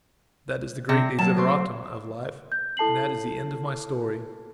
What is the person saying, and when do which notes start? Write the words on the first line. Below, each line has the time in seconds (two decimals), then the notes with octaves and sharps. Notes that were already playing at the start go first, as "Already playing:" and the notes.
That is the great desideratum of life, and that is the end of my story.
0.89 C3 A#6
1.18 F#3 A#3 A5
1.37 A3 C4 C6
2.52 G6
2.77 E4 A4 A5 C7 F#7